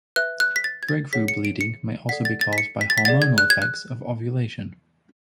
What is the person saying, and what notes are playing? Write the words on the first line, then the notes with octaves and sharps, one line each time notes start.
Breakthrough bleeding may also be caused by hormonal effects of ovulation.
B4 E5 F#6
F#6
B6
A6
G#6
A6
G#4 C#5 F#5 B6
C#7
D7
C#7
A4 D5 F#5 B6
A6
A6
B6
C#7
B6
A6
B6
G#4 D5 F#5 A6
G#6
F#6
G#6
F#6